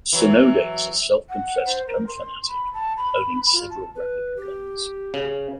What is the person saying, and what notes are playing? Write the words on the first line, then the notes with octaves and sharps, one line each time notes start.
Sonoda is a self-confessed gun fanatic, owning several replica guns.
E3 F#3
F#5
C5
A#4
C6
B5
A5
B5
F4
A5
B4
G4
C#3